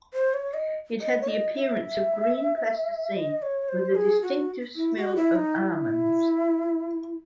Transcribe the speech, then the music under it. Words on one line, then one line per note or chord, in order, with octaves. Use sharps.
It had the appearance of green plasticine with a distinctive smell of almonds.
C5
C#5
D#5
D#5
C#5
D#5
E5
D#5
C#5
C5
G#4
F#4
E4
F#4
E4
D#4
E4